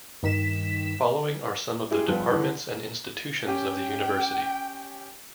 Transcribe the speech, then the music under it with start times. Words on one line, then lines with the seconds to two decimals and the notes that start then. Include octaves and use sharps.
Following are some of the Departments and institutions of the university.
0.23 G2 D#3 B6 E7
1.90 G#3 E4 G4 G#4
2.07 G2 F3 B3 F4
2.32 D3 E3
3.46 C#4 G4 G5